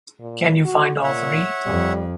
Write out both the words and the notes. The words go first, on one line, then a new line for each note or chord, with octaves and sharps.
Can you find all three?
A#2
F#4
A#2 C#5 E5 F#5
F2 G3